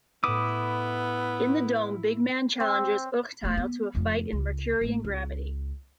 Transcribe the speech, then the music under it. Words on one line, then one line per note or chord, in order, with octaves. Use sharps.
In the Dome, Bigman challenges Urteil to a fight in Mercurian gravity.
A2 B3 E4 D6 D#6 E7
C4
E1 A3
B3
F1 F2
C#2
A1 A3
C#2